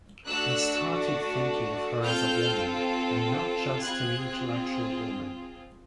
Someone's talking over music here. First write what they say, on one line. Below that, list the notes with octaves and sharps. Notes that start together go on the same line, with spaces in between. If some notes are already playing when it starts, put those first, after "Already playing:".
I started thinking of her as a woman, and not just an intellectual woman.
A3 D4 F#4 E6 F#6
C4 F4 A4 F6 G6
C4 F4 G#4 F#6 G#6